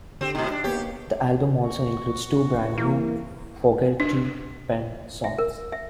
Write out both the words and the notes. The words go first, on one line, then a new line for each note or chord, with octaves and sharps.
The album also includes two brand-new Fogerty-penned songs.
D3 C4 G4
G#2 B2 D#4
D4
A#3 B3 G4 C#5
F#4
E3 A#3
D4
E5
A#4
E5